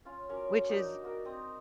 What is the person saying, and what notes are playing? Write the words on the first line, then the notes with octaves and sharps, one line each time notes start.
Which is
C#4 F4
F#3 C#4 A#4 D6
A#3 D4 D#4 G5
A#3 F#4 A#4
C4 D#5 D#6